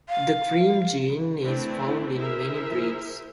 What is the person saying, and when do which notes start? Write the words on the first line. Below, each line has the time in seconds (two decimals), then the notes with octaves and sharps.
The cream gene is found in many breeds.
0.09 F5
1.41 E3 A3 C4 D4 E4
2.17 E4 G#4 A#4 C5 E5